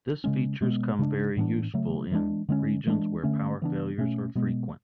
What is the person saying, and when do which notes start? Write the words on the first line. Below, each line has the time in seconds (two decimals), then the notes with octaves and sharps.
This features come very useful in regions where power failures are frequent.
0.24 C#3 G#3 C#4
0.61 B2 G#3 B3
0.99 C#3 G#3 D4
1.37 A2 E3 B3 D4
1.74 C#3 F#3 A3
2.12 E3 G#3 D4
2.49 D3 G#3 C#4
2.87 E3 G#3 D4
3.24 D3 A3 C#4
3.62 C#3 E3 B3 D4
3.98 B2 A3 C#4
4.35 B2 G#3 B3